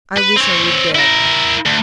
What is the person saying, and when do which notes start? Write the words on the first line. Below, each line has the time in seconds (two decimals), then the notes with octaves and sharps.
I wish I were dead.
0.18 B4
0.36 C4 C#5
0.95 E4 A#4
1.66 D2